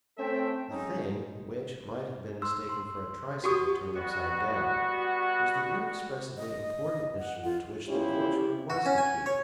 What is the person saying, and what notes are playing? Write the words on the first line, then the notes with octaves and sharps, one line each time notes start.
The thing which might have been mistaken for a tricycle turned upside-down was the inexpressibly important instrument to which the corkscrew was the key.
A3 C4 C#4 A4 E5 G5
F#3 G#3 C#4 D#4
C6 E6
C6
F#4 G4 C#6 D#6
G3 B3 F#4
D#5
F#5
F4
E2 F3 C#4 E4 G4 C5
F#4
C#4
G#5
C#5